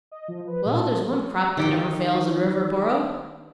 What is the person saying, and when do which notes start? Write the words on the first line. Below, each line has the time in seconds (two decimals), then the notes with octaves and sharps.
"Well, there's one crop that never fails in Riverboro!"
0.11 D#5
0.28 F3
0.47 B4
0.65 A#2
0.78 A5
1.57 D#3 G4 G5